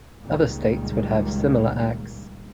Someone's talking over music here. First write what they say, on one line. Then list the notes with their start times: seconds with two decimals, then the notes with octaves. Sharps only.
Other states would have similar Acts.
0.23 C#2 A#2 D#3 G3 G#3 A#3